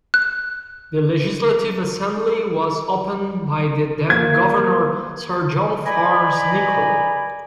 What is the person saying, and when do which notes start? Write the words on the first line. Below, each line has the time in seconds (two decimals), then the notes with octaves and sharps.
The Legislative Assembly was opened by the then governor Sir John Fearns Nicoll.
0.14 F#6
4.10 A#3 G#6
5.85 B4 D5 D#5 G#5 A#5 B5